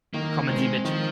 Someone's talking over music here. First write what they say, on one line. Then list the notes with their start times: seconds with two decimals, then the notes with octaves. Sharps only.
Kommen Sie mit.
0.14 D#3 A#3
0.49 G#3 C4
0.85 D#3 F3